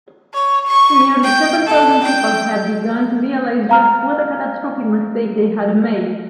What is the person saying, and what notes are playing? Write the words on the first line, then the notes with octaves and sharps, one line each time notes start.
Nearly seven thousand people had begun to realise just what a catastrophic mistake they had made.
C#5
C#6
G5
A4
G5
F5 A#5 F6